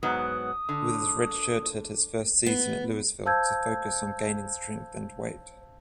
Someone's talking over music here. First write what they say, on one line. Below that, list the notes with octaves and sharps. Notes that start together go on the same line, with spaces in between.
Withers redshirted his first season at Louisville to focus on gaining strength and weight.
G#2 F#3 B3 D#6
D3
B3
C5 F5 A5 E6 G6 G#6